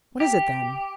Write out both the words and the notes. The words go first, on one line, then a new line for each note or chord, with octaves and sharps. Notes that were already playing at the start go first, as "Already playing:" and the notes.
"What is it then?"
G4